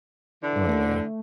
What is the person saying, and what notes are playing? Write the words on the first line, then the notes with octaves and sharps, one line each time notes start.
Oh, yeah.
D3 E3
A3